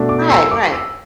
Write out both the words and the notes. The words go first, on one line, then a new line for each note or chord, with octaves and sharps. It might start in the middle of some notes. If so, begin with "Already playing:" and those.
Right, right.
Already playing: B2 A3 D4
D6
E6
D6
E6